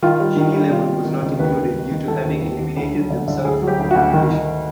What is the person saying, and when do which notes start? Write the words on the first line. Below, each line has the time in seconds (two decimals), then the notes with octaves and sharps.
Ginny Lemon was not included due to having eliminated themself from the competition.
0.02 D#3 F4
0.20 G3
0.37 D#3
0.53 G3
0.70 C3 F4
0.88 G3
1.05 D#3
1.22 C#2
1.39 D#2 B4
1.56 D#2
1.74 D#3
1.91 D#3
2.08 D#3 A4
2.25 D#2
2.42 D#2
2.59 D#2
2.77 D2
2.93 F#3
3.10 D3
3.28 D3
3.45 D2 G#4
3.62 F#3
3.67 G4
3.79 D2
3.91 D2 F#4
4.13 D#3
4.31 D#3